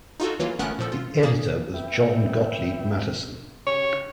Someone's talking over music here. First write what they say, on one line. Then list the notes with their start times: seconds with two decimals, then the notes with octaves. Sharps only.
The editor was John Gotlieb Matteson.
0.20 D#4 F4 F#4 A4
0.40 E3 F#3 A#3 F4
0.59 G1 A3 B3 C#4 A#4 F#6
0.79 A#2 F3 A4
0.92 F4
1.23 A#3 G#4 A6
1.74 B3 E5 G5
3.67 C#3 G4 C#5